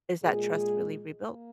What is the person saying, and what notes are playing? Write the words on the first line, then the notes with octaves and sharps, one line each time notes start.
is that trust really rebuilt?
A#2 G#3 G#4
A#3